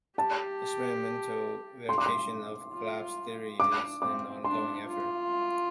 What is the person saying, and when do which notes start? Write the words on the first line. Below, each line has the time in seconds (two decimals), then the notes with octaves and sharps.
Experimental verification of collapse theories is an ongoing effort.
0.17 G4 A5
1.89 C6
1.98 D6
2.06 C6
2.73 F4
3.60 D4 D6
4.02 C4 D6
4.44 D4 C6
4.87 F4